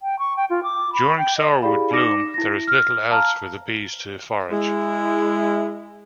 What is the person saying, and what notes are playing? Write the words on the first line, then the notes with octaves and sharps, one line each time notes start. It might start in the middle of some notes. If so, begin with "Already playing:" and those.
During sourwood bloom, there is little else for the bees to forage.
G5
C#6
G5
F4
D6
B5
G5
D#5
E4 G4 G#4 D5 F5 B5
D#4 D5 D6 A#6 C#7 E7
E4 A#6
F6
F5 A5 A#5 F6
G#3 E4